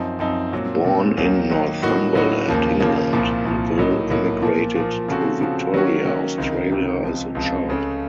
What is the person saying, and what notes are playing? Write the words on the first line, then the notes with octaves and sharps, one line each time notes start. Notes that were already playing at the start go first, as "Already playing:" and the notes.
Born in Northumberland, England, Neville immigrated to Victoria, Australia as a child.
Already playing: F#2 F3 C4 D#4
F#2 F3 C4 D#4
A#2 F#3 C4
A#2 F#3 C4
D#2 D#3 F#3
D#2 D#3 F#3
A2 F#3 A#3 D#4 F#4
A2 F#3 A#3 D#4 F#4
D#2 C#3 F3 A#3
D#2 C#3 F3 A#3
C2 A#2 F3
C2 A#2 F3
A2 F#3 A#3 D#4
A2 F#3 A#3 D#4
A#2 F3 A#3
A#2 F3 A#3
C#3 F3 A3 C4 F#4
C#3 F3 A3 C4 F#4
D#3 F#3 A#3 C#4 F#4
D#3 F#3 A#3 C#4 F#4
C#2 C3 D#3
C#2 C3 D#3
C#2 C3 F3
C#2 C3 F3
C#2 C#3 A3